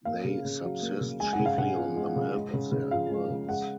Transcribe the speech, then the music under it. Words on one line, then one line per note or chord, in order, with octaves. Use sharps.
They subsist chiefly on the milk of their herds.
A#3 F5
C#3
C#3
F#3
A#3
C#3
G#3 G#5
F#5
C#3
F5
C#3 F#5
F3
G#3
C#3
G#3
C#3
C#3
F3 F5
G#3
C#3
G#3 F#5